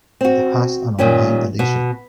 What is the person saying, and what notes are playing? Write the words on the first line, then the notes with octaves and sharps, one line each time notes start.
It has an online edition.
C4 F#4
A#2 D#3 G3 C#4 G4
B2